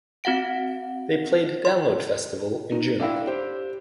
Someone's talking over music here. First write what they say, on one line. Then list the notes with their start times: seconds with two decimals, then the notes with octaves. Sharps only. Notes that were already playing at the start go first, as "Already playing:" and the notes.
They played Download Festival in June.
0.24 C4 F#4 F5 F#5 D7
1.65 C6
2.72 D#4
3.00 D4 E4 A4 F5 G5
3.27 G4 C5